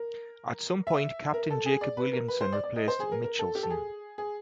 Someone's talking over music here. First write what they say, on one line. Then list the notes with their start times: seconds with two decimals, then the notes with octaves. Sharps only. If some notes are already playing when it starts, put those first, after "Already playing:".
At some point Captain Jacob Williamson replaced Mitchelson.
Already playing: A#4
0.87 E5
1.34 A#4
1.50 A4
1.66 G#4
1.81 D5
1.97 B4
2.13 A#4
2.28 B4
2.41 C5
2.53 D5
2.64 D5
2.76 D#5
2.88 C5
3.00 G#4
3.12 A#4
3.24 A#4
3.39 A4
3.55 G4
3.63 A4
3.70 G#4
4.18 G#4